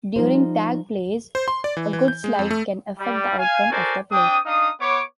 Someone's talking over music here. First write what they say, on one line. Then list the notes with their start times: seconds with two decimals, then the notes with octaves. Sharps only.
During tag plays, a good slide can affect the outcome of the play.
0.16 F3 G3 D#4 F4 A4 C5
1.35 C5
1.48 C6
1.64 D5
1.77 E3
1.93 E3
2.08 G6
2.24 G#3
2.39 F2
2.51 A3
2.99 G3
3.38 F5 G#5
3.71 F#4 A4 A#4 C5 D5 G#5
4.12 C4 D4 G5 D#6
4.46 D4 D#4 F5 D#6
4.80 B3 C#5 D6